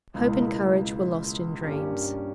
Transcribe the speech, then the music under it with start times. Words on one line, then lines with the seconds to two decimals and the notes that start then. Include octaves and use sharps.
Hope and courage were lost in dreams.
0.14 C#2 B2 A#3 E4
1.62 G2 G3 A#3 C#4 G4